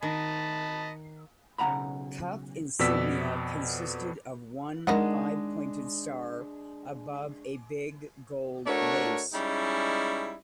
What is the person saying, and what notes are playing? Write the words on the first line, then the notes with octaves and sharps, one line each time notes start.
Cuff insignia consisted of one five-pointed star above a big gold lace.
D#3 D#5 A5 B5
B1 C#3 C#4 F#5 A#5 B5
F2 B2 B3 D5 E6 B6
D#3 G#3 D4 D#5 F#5
A3 D4 F#4 A#4 C#5
G3 G#3 C#4 D#4 E4